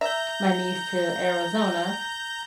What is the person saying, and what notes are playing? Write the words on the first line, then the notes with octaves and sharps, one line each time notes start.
my niece to Arizona,
E5 A#5 G6